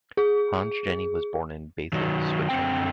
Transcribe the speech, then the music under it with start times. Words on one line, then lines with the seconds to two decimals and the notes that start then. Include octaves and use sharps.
Hans Jenny was born in Basel, Switzerland.
0.17 G#4
1.93 D#3 F#3
2.49 F#2 D3 C4 G5